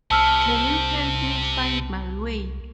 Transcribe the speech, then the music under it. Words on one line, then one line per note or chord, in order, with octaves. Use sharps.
Can you help me find my way?
C2 C3 A5 E6 F6